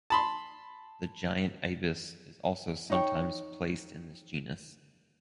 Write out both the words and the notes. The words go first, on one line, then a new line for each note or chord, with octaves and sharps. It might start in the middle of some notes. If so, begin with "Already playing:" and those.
The giant ibis is also sometimes placed in this genus.
A5 B5 C6
D#4 C#5 G5